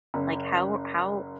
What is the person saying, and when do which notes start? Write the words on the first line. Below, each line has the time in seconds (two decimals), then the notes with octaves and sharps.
Like, how how
0.14 F#1